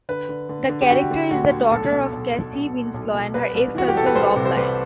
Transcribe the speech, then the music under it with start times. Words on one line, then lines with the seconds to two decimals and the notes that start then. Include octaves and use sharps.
The character is the daughter of Cassie Winslow and her ex-husband, Rob Layne.
0.09 D3 B4
0.29 D3
0.49 D3
0.69 D3
0.82 G4
0.90 D3 F#4
1.11 D3
1.31 D2 F#4
1.51 D2
1.71 B1 A4
1.91 B2
2.12 B1
2.32 B1
2.53 B1
2.73 B1
2.94 B1
3.14 B2
3.34 C2 B4
3.54 C2
3.75 E3 F#4
3.88 G4
3.95 C2 A4
4.06 B4
4.15 C2 C5
4.36 C3
4.45 C5
4.56 C2 B4